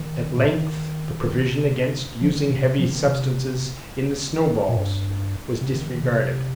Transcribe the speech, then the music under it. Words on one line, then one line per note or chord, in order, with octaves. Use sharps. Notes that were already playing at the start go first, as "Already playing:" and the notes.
At length the provision against using heavy substances in the snow-balls was disregarded.
Already playing: D#3
A#2
C3
D#3
D#3
C3
F3
D#3
C3
C3
F3
C3
D#3
C3
A#2
G2
C3
D#3
D#3
C3